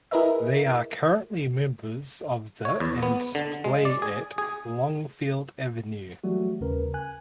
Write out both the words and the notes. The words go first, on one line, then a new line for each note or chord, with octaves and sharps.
They are currently members of the and play at Longfield Avenue.
E4 G#4 A#4 B4 D#5 E5
C#5
E2
B3
D3
G#3
D5
G#4
G#4
E3 F#3 G3 A3 F#4
D#2 C#3 C#4 A#4 B4
G#5 F#6